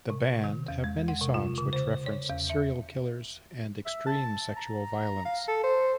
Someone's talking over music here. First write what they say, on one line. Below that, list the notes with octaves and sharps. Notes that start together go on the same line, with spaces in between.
The band have many songs which reference serial killers and extreme sexual violence.
C3
D#3
E2
G#3
F#5
C3
F4
C#3
C5
C#5
E2
E5
E5
A5
A#5
F5
A4
C5